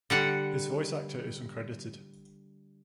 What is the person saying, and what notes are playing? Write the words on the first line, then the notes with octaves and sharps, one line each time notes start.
His voice actor is uncredited.
D3 G3 F#5